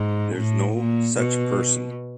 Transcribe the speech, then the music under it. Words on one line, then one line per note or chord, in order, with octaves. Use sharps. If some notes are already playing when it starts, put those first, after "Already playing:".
There's no such person.
Already playing: G#2
A2
A#2
B2